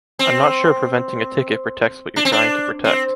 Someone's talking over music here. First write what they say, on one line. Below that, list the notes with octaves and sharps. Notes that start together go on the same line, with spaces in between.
I’m not sure preventing a ticket protects what you’re trying to protect.
C4
D4
C4
D4
C4